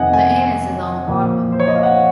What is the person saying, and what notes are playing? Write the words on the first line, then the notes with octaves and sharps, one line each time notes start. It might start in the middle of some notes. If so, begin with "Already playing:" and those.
The anus is on the bottom of a body.
Already playing: F2 C3 D#3 D#5 F#5 G#5
G#5
A#2 F3
C5
C#5
D#5
F5
F#5